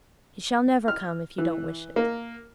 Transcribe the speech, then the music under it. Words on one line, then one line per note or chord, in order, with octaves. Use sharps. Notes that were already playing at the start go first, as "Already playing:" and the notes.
He shall never come, if you don't wish it.'
F6
E3
A#3